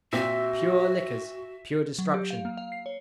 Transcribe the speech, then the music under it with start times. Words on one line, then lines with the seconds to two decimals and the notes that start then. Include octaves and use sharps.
"Pure liquors:" pure destruction!
0.13 A#2 C4 F#4 E5
1.98 F#3
2.14 G4
2.30 F5
2.45 A#3
2.57 F5
2.72 C7
2.86 C#5